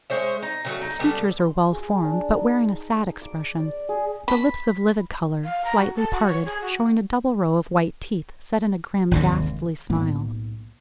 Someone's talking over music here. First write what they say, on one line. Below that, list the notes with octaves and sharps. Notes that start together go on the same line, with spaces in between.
Its features are well formed, but wearing a sad expression; the lips of livid colour, slightly parted, showing a double row of white teeth, set in a grim ghastly smile.
G#3 C5 C#5 E5
D#4
C#3 F#3 A3
D#4
C#3 G3 B3 A4
C6
G#4
D4
D#4
D6
D5
G#4
B5
F5
A#5
F#4
A4
F#4
C#5
G#4
F#4
G#1 D#2 C3
B1 A2 A#3 B3